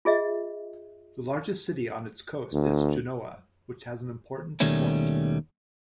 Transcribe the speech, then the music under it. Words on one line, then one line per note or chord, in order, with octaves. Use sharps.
The largest city on its coast is Genoa, which has an important port.
F4 G#4 D#5 E5
D2
D#2 B2 D#3 G3 A3 C#4